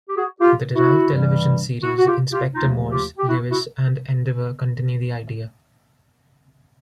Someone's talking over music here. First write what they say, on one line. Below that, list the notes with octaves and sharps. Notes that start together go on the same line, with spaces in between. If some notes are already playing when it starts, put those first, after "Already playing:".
The derived television series, "Inspector Morse", "Lewis" and "Endeavour", continue the idea.
G4
F#4 G#4
F4 G4
E4 F#4
G2 E3 G3
E4 F#4
F#4
F4 G4
F4 G4
D#2 C#3 F3 A3 D#4 F4
F4 G4
G4
E4 F#4
E4 F#4